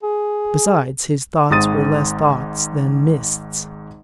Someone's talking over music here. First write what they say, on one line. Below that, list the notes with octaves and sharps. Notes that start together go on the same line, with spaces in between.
Besides, his thoughts were less thoughts than mists.
G#4
G#1 G#2 D#6 A6 D#7